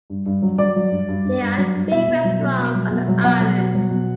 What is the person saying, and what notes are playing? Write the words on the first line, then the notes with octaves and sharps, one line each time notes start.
There are three restaurants on the island.
G2
G2
F#3
F#3 D5
F#3
G2
G2
G2
G2
F#3
G2
B2 E5
B2
F#3
B2
B2
F#3
B2
F#3
B2 F#5
F#3
B2
F#3
B2